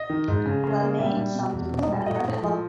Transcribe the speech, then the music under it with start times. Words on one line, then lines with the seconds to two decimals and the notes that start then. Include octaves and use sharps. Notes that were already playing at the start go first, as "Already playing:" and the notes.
Laman songs from Kullu Valley are another type of love song.
Already playing: D#5
0.10 D#3
0.28 G#2
0.45 C#3
0.64 C#3
0.81 A#3
0.99 G3 E5
1.17 G3
1.35 B2
1.53 E2
1.71 B2
1.89 G3
2.06 A2 D#5
2.24 A2
2.42 F3